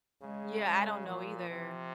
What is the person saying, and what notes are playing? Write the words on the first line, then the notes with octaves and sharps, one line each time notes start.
Yeah, I don't know either.
C#3 G#3
G#3
A#2 F3
C3